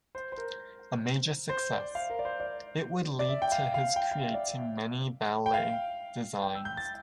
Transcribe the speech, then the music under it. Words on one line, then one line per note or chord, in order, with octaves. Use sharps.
A major success, it would lead to his creating many ballet designs.
C5
C5
A#4
C5
D5
F5
A#4
D5
C5
D5
D5
E5
G5
F5
F5
G5
F5
E5
D5
E5
G5
F5
G5
E6
G6
A6